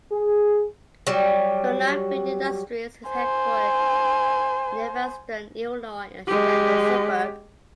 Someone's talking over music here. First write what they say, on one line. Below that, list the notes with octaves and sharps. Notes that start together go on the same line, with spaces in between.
Bernard Food Industries is headquartered in Evanston, Illinois, a Chicago suburb.
G#4
F#3 G3
C5 G#5
G#3 G4